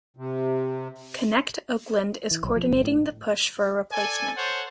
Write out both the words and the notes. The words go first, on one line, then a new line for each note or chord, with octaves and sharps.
ConnectOakland is coordinating the push for a replacement.
C3
E3
B1
F3
G1
A2
A4 D5 G#5
A4 C5 C#5 F#5